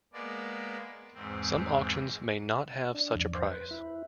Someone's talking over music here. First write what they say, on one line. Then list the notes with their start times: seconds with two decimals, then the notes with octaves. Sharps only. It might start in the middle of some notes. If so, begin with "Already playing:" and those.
Some auctions may not have such a price.
0.13 G#3 A#3 B3 D5
1.14 E2 G#2 C4
2.95 D4
3.15 F2
3.35 C5
3.51 B4
3.71 E4